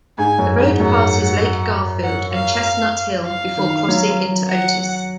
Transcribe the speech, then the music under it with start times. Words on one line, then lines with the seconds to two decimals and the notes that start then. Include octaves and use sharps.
The road passes Lake Garfield and Chestnut Hill before crossing into Otis.
0.18 G#2 G#5
0.39 F#2
0.60 G#2
0.80 F#2 F#5
2.03 F#5
2.34 F5
3.27 F5
3.57 D#3
3.88 F#3
4.50 F#5